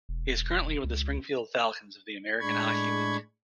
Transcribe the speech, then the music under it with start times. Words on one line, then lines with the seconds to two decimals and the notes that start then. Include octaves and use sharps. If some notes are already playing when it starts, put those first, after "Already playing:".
He is currently with the Springfield Falcons of the American Hockey League.
0.09 E1
0.84 C#2
2.40 A2 G#3 D4 B5 C#6 G#6